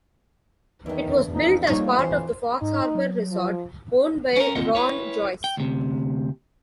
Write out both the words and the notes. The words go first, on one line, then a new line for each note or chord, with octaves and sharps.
It was built as part of the Fox Harb'r Resort, owned by Ron Joyce.
E2 D#3 D4
F2 D#4
G3 A#3 D#4 C#5
E3 C5
G#2 D#4
F#3
F3
C#4 A#4
D#2 A#3 C4 F4 D#5 F#5
E4 B4 C#5
G5
D2 C3